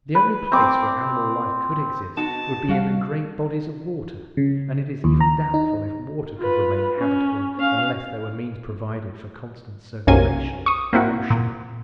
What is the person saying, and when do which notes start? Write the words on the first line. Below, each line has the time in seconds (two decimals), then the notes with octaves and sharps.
The only place where animal life could exist would be in the great bodies of water, and it is even doubtful if water could remain habitable unless there were means provided for constant circulation--motion.
0.15 B4
0.52 C4 D6
2.17 B3 D#4 F#4 A5
2.69 G3 F#4 D#5 F5
4.37 C#3
5.04 D#2
5.21 A#5
5.54 D#4
6.37 F4 B4
6.99 C#4
7.58 C#4 F5
10.07 B1 F#2 C3 A#3 C#4 G#5
10.66 C#6 D#6
10.93 A#3 C4 E4 F#4
11.30 A#2